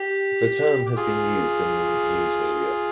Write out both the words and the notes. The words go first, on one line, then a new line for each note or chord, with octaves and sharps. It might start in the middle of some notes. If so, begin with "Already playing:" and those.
The term has been used in the newsmedia.
Already playing: G4
G4
F4 G#4